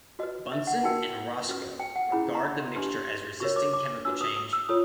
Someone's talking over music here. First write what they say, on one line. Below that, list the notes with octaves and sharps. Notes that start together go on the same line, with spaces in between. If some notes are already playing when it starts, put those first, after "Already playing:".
Bunsen and Roscoe regard the mixture as resisting chemical change.
F#4 B4 D#5
E5
F#5
D#4 F#4 A#4 G5
C#4 F#4 B4
G5
F#5
C#4 E4 G#4 B5
A#5
B5
C6
D4 G4 B4 C6
F#4 A#4 C#5 C#6
D6
D6
D4 F#4 B4 E6
D#6
D#6
E6
F4 A4 C#5 D#6